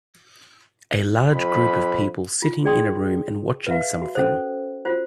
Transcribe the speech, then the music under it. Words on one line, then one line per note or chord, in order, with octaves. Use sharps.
A large group of people sitting in a room and watching something.
F2 B5
F4
G#4 D5 G5 C6 D#6
B4 E5 F5
F#4
C#4 A4 C5
F4 F#4 C5